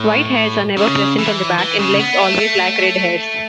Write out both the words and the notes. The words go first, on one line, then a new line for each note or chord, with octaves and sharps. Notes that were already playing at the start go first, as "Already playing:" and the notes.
White hairs are never present on the back, and legs always lack red hairs.
Already playing: A2
C#3
E3
E3
C#3
B3
A3